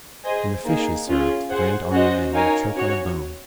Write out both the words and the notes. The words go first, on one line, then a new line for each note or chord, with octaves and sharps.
When the fish is served, the Grand Army man will choke on a bone.
G#4 C5 D#5 G#5
A#3 D#4 G#4
C#4 F4 G#4
G#4 C5 F#5
C#4 F#4 C5 D#5
D#4 A#4 C#5 F5 G#5
C#4 F#4 C#5